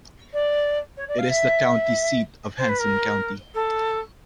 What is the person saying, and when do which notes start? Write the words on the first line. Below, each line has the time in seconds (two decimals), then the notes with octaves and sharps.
It is the county seat of Hanson County.
0.33 D5
0.97 C#5
1.08 D5
1.18 F5
1.29 E5
2.58 C5
2.69 B4
2.79 A#4
3.54 A4